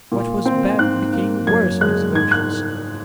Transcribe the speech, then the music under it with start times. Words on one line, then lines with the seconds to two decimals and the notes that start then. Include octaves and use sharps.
What was bad became worse in his versions.
0.12 A#2
0.46 C4
0.79 G#2 F#6
1.13 A#3
1.47 F#2 G#6
1.81 G#3 F#6
2.15 G#2 G#6
2.31 F#6